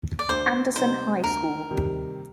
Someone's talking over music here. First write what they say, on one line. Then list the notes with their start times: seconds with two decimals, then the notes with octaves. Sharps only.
Anderson High School.
0.19 D5
0.29 D2 C5
0.76 C3 G3 C4 D#4 C5
1.24 D2 A#4
1.71 C3 D#3 G3